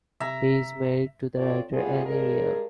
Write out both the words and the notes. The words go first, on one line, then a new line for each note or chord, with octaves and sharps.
He is married to the writer Ane Riel.
C3 E5 A#5
D2 C4 D4 F4 C#5 D5
G3 A3 B3 F4 F#4 G#4
G2 G#3 D4 G#4 A#4